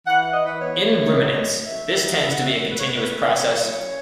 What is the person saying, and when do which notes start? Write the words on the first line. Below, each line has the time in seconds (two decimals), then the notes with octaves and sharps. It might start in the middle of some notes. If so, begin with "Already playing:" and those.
In ruminants, this tends to be a continuous process.
0.07 E3 F#5
0.21 E4 F#5
0.33 D#5
0.43 E3 B4
0.60 B3 C#5
0.78 E3
0.96 E4
1.13 F#3
1.30 D#4
1.48 F#3
1.65 A3 E5
1.83 F#3
2.01 D#4
2.12 D#5
2.18 E4 E5
2.32 C#4 F#5
2.45 E5
2.53 A2 C#5
2.71 F#3 B4
2.79 C#5
2.87 E4 B4
2.97 B4
3.06 C#4
3.23 F#3 C#5
3.41 E4
3.59 F#3
3.76 C#4